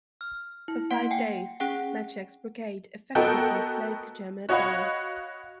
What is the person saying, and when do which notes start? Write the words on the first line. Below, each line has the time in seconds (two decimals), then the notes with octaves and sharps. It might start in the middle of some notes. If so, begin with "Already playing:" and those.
For five days Maczek's brigade effectively slowed the German advance.
0.21 F6
0.68 E4
0.90 A#3 F#5 D7
1.11 G5 G#5
1.60 C#4 G#4 F#5 G5
3.15 B3 F#4 A4 A#4 D#5 G5
4.49 F#4 C#5 D#5 F5 F#5 B5